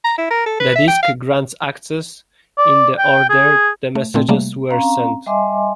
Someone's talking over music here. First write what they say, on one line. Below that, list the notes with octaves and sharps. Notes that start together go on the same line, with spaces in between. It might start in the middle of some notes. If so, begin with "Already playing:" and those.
The disk grants access in the order the messages were sent.
A#5
E4
A#4
A4
B4
E5
G5
F5
D5
G5
G#4
A3
A#2 A3 C4
C3 G3 A3 A#3
C4 C#4 F5 A#5
G3 D#5 E5 G#5 C6 D6